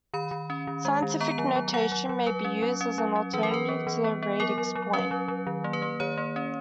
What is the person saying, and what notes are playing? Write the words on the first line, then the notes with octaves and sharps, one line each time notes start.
Scientific notation may be used as an alternative to the radix point.
D#3 B5
D#3
C#4
D#3
G#3
D#3
B3 A#5
F#3
F#3
F#3 F#5
F#3
F#3
F#3 B4
C#4
F#3
C#4
F#3
C#4
E3 B4
A#4
E3 B4
B3
E3
B3
B3
F#3 A#4
F#3
F#3
C#4 B4
F#3
F#3
D#3
A#3
B4
A#3
D#3 C#5
A#3
C#4